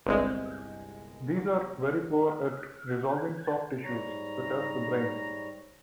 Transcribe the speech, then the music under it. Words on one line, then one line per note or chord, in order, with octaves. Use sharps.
These are very poor at resolving soft tissues, such as the brain.
G1 C2 G#3
G#2 G3 C#5 A#5